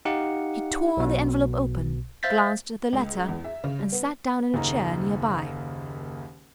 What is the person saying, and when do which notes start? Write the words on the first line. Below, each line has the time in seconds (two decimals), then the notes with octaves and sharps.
He tore the envelope open, glanced at the letter, and sat down in a chair near by.
0.05 D#4 G4 F5 F#5 C#7
0.97 B1 B2
2.23 C5 E5 F5 G6 A6 B6
2.93 C#2
3.29 E2
3.44 E5
3.64 C#3
3.79 G3
3.92 B3
4.54 F#1 D#2 D#4 A#5